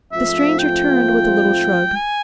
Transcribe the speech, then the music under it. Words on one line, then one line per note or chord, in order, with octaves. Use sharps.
The stranger turned with a little shrug.
G#2 F3 A3 C4 F4 E5
G5
G#5